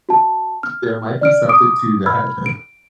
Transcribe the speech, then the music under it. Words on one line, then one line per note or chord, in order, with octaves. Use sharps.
there might be something to that.
F#4 A5
F6
D5 F6 D7
D6 D#6 D7
B5 E6 F6 G#6
D7